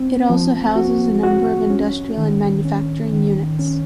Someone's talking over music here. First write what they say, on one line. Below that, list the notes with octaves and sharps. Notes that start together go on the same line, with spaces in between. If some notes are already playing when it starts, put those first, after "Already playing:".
It also houses a number of industrial and manufacturing units.
Already playing: C4
F3
F#4
F#4
C#4
D#3
C#4
D#3
C#4